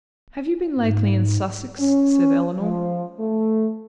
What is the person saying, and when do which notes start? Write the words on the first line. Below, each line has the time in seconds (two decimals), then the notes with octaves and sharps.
"Have you been lately in Sussex?" said Elinor.
0.79 G#2
1.79 C#4
2.60 F3
3.20 A3